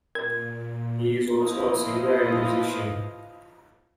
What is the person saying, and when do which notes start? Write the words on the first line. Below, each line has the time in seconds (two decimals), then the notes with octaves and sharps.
He is also a singer and musician.
0.15 A#2 A#4 G#6
1.38 F3 E4 B4 D#5 F5